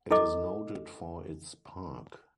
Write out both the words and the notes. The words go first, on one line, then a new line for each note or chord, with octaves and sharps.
It is noted for its park.
E4 A4 D#5 D6